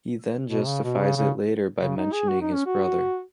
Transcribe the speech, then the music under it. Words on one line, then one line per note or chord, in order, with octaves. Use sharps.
He then justifies it later by mentioning his brother.
B2
C#3
B2
C#3
C#3
C#3
D#4
G#4
F#4
D#4
C#4
F#4